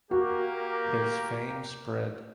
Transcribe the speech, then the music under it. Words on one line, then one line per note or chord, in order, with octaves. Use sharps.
His fame spread.
A#3 F#4 G4